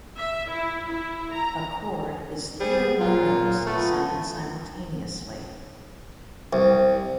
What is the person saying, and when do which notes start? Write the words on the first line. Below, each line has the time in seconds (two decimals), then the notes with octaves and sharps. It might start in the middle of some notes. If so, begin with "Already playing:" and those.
A chord is three or more notes sounded simultaneously.
0.18 E5
0.49 E4
0.89 E4
1.33 A#5
2.60 G3 G#4 C5
3.00 A#2 F#3 F4
3.66 A3 B3 F4
6.53 C2